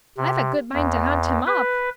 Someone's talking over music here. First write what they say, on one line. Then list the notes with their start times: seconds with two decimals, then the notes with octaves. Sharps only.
"I've a good mind to hunt him up."
0.17 C3
0.74 E2
1.47 B4